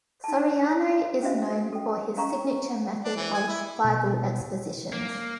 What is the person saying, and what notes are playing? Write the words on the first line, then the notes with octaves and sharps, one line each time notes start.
Soriano is known for his signature method of "Bible Expositions".
D#4 A5
C#4 D4 F#4 C5 E5 F5
A4 G5
C#4 F5 A#5 C#6
D4
E3
G#5
E4
B2
A#3